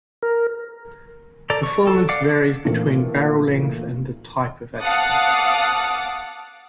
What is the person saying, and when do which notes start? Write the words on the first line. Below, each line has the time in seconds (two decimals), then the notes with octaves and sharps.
Performance varies between barrel length and the type of action.
0.23 A#4
1.50 A4 D5 A#5
1.63 C#6
1.87 A4
2.09 D5 F5 F#5 D6
2.65 A#2 D3 E3 A3 A#3 C4
4.80 F5 F#5 A5 D6 D#6